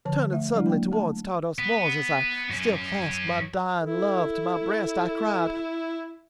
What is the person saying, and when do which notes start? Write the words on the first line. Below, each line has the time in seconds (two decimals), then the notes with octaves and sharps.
Turning suddenly toward Tardos Mors as I still clasped my dying love to my breast I cried.
0.05 D3 F3 C#5 A5
0.32 A3 E5
0.54 F#3 G#3 D4 E4
0.66 A#3 G5
0.92 A3 A5
1.59 B3
2.50 F#2 C#4
3.80 E4 A4